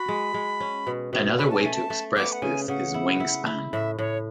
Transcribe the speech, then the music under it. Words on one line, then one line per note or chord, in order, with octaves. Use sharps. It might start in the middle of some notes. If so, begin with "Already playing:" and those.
Another way to express this is wing span.
Already playing: F#4 B5
G#3
G#3
C#4
B2
B2
C#4 B5
A5
A3 G#5
A5
A3
B3 D6
F#5
C#3 G#5
C#3 F#5
E4
E4
E4
A2 E5
A2 C#5